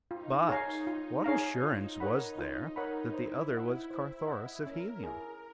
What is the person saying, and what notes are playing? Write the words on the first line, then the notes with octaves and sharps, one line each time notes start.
But what assurance was there that the other was Carthoris of Helium?
D#4 F4
G#4 C#5 F5 A#5
F4
G#4 C#5 F5 A#5
F4
A#4 C#5 F#5 B5
F4
A#4 C#5 F#5 B5
E4 C5
D#5
F#5
C5
D#5 F#5
C#4 A#4
E4 G#4